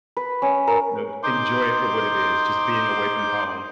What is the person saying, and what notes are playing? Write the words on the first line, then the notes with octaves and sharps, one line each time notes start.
You know, enjoy it for what it is, just being away from home.
B4
C#4
A#4
D#4 C5 C6 D6